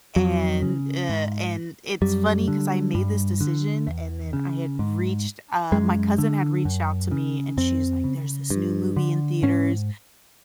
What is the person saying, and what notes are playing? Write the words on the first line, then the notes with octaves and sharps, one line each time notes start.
and, uh, and it's funny, 'cause I made this decision, and then I had reached uh, my cousin had reached out to me, and she was like, "There's this new movie in theaters.
F2 F#3
C#3
G#2
F#2 G3
D3
G2
D3
E2
C#3
G#2
F#2 G#3
D3
F#2
C#3
F2 C4
C#3
G2
D3
G#2 C#4